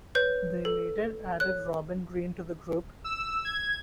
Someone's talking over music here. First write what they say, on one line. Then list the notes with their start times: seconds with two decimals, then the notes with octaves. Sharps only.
They later added Robin Green to the group.
0.15 B4 C#5 G6
0.65 A4
1.40 C#5 F#6
3.04 E6
3.45 G#6